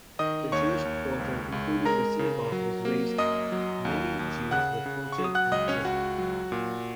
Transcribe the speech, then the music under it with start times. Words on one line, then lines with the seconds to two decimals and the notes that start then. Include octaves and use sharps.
The Jewish quarter including the synagogue was razed, many Jews were tortured and killed.
0.19 D#3 D#5 D#6
0.52 D#2 C#5 C#6
0.85 D#2
1.19 C#2
1.52 C#2
1.85 G#3 A#4 A#5
2.19 C#3
2.52 F#3
2.85 A#3
3.18 F#2 D#5 D#6
3.52 F#3
3.85 D#2
4.19 D#2
4.51 C#3 F#5 F#6
4.86 C#3
5.12 C#6
5.18 F#3
5.24 D#6
5.35 F#5 F#6
5.52 C#2 D#5 D#6
5.68 C#4 C#5
5.85 C#2 F#4 F#5
6.18 F#3
6.52 A#2